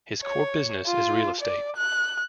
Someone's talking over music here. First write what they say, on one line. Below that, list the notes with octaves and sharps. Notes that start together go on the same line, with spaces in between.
His core business is real estate.
C#5
F4
D5
F#6